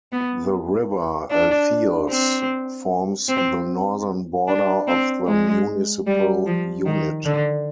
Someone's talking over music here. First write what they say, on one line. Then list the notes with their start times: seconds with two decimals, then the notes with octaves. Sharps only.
The river Alfeios forms the northern border of the municipal unit.
0.12 B3
1.31 D4
2.09 C4
3.28 C4
4.48 D4
4.88 C4
5.27 G#3
6.06 G3
6.46 F3
6.86 D#3
7.25 D3